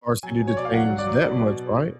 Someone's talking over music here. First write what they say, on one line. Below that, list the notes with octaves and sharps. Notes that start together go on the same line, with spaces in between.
our city to change that much, right?
F#3 G#5
B2
C#5
F#3 D5
F5
F#3 F#5
F#3
D5
F#3
B2
B2